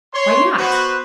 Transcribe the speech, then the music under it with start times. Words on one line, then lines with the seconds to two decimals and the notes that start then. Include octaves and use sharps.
"Why not?"
0.13 C#5 C6
0.57 B3 F#4 B4 C5